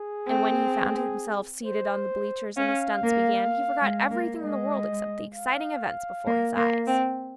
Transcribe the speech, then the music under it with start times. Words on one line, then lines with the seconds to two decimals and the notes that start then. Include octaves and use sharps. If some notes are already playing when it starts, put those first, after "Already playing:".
And when he found himself seated on the bleachers and the stunts began, he forgot everything in the world except the exciting events before his eyes.
Already playing: G#4
0.27 C4
1.65 C5
2.57 C#4 F5
3.03 A#3
3.81 G#3
4.11 A#3
4.42 G#3 D#5
5.34 F5
6.27 A#3
6.57 A#3
6.87 C4